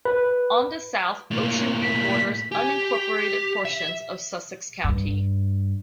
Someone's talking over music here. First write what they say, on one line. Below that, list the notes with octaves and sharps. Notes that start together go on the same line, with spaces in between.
On the south, Ocean View borders unincorporated portions of Sussex County.
B4
A2 A#3
B6
G4 G#5
B6
E5
G2